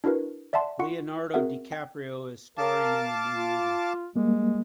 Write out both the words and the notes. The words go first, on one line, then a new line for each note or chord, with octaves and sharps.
Leonardo DiCaprio is staring in the new movie.
D4 E4 F#4 A#4 B4
D5 E5 F#5 A5 C6
F4 F#5 C#6 C#7
C4 F#4 G#4 A#4 E5 F#5
G5
A#4 F5 A5 D6
F4
G3 G#3 A#3